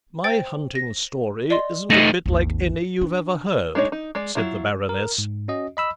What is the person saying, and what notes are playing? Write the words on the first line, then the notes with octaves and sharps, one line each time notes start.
"My hunting story isn't a bit like any you've ever heard," said the Baroness.
C5 G5 A6
A#6
D5 D#5 C6
A3 D#4 A#6 E7
G#1 D#2
D4
G#3 D4 D#4 C#5
D#4
G#3 D5
F#3 E4 F4
A#4
G#2
C#4 F#4 D#5
D#5 B5 E6